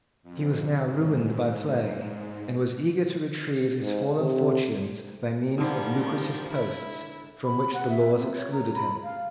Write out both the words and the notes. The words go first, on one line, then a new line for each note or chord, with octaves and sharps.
He was now ruined by play, and was eager to retrieve his fallen fortunes by means of lucrative posts from which the laws excluded him.
F2
G#2
G#2
C3
G#2 D3 D#3 F3 G3
E4
B5
F#5
E5
C4
C#5
A#5
B5
F5